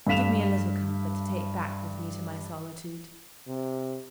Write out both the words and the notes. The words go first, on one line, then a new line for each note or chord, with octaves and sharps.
Give me a little comfort to take back with me to my solitude.
G2 A3 F5 B6 E7 F7
C3